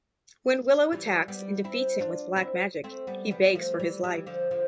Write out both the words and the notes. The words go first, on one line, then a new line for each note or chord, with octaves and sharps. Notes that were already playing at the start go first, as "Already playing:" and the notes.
When Willow attacks and defeats him with black magic, he begs for his life.
E3 G3
G3 B3
C4 E4
D4 F4
C4 E4
A3 C4
G3 B3
G3 B3
F3 A3
E3 G3
E3 G3
D3 F3
D3 F3